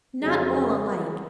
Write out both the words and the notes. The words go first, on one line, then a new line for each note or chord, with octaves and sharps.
'Not all alike.
F2 C#3 F#3 G#3